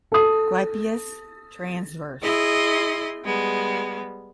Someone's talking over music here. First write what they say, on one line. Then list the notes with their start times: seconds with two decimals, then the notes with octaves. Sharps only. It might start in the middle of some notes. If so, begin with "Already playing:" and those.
Clypeus transverse.
0.12 A4 D#6
2.22 E4 G#4 D#5 C6
3.25 G3 G#3 B3